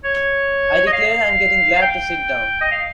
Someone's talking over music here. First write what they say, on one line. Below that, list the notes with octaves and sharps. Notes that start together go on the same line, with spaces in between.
I declare I’m getting glad to sit down.
C#5
D#5
F5
F5
G5
D#5
F5